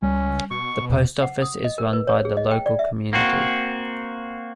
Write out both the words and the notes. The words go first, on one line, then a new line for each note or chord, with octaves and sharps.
The Post Office is run by the local community.
C#2 G3 C#4
B2 C#6
E1
F#5
D#6
D#5
A#4
B4
C#5
G#4
D#5
G5
D5
E5
A#3 C4 F#4